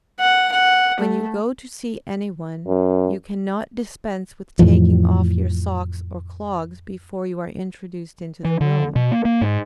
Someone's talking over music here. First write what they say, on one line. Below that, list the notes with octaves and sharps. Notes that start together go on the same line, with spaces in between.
When you go to see any one, you cannot dispense with taking off your socks or clogs before you are introduced into the room.
F#5
F#5
A3
F#2
F2 A2 E3 F3
E3
D3
B2
A#3
A#3
G#2